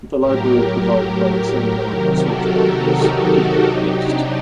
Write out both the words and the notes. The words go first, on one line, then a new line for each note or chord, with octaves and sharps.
The library provided by The Sendmail Consortium is pthread-based.
A2 F#3 G4 A#4
C3 D#3 F#3 G4 A#4
F#4 A4
G4 A#4
D#4 G4
F#4 A4
C3 F#3 D#4 G4
D4